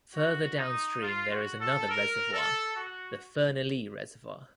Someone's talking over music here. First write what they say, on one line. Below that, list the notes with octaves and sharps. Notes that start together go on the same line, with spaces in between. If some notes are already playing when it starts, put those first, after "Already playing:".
Further downstream there is another reservoir, the Fernilee reservoir.
F#4
D#4
F4
F#4
A4
A#4
A4
F#4